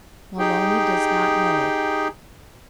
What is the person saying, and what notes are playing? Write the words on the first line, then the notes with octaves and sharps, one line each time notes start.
Maloney does not know.
D#4 G4 G#4 G5